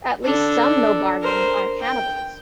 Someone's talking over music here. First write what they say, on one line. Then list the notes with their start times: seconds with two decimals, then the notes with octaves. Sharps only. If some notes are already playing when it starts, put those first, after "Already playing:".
At least some nobargans are cannibals.
0.24 D4 A4
1.23 A#4 C5
1.82 G5